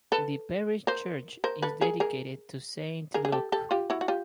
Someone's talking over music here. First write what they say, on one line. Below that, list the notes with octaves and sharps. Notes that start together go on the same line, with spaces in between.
The parish church is dedicated to Saint Luke.
A4 B4
A#4 C5
A#4 C5
A4 B4
G#4 A#4
G#4 A#4
G#4 A#4
G#4
G4 A4
G4 A4
F4 G4
E4 F#4
F#4
F4 G4